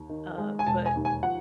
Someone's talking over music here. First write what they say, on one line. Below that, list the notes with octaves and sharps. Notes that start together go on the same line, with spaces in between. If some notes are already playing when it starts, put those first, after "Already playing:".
Uh, but
Already playing: D#2
D#3
G#3
G#5
E1 A5
G#5
D#2
G#5
F3 F#5